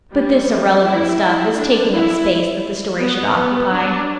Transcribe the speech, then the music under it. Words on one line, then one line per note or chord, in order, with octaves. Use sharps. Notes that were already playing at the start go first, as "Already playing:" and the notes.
But this irrelevant stuff is taking up space that the story should occupy.
G3
G3
E4
E4
D4
E4
B3
B3
D4